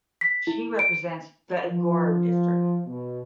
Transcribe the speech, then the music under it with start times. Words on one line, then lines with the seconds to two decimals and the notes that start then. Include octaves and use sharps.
She represents the Ngora District.
0.21 B6
0.47 E4
0.79 D7
1.67 F3
2.86 B2